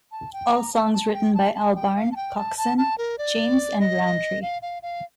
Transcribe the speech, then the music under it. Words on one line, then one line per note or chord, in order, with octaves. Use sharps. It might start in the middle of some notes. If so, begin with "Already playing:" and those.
All songs written by Albarn, Coxon, James and Rowntree.
A5
G5
A#5
A5
A5
G5
A5
A5
F5
G5
F5
A5
G5
A5
A5
A5
A#4
D5
D#5
F5
F5
F5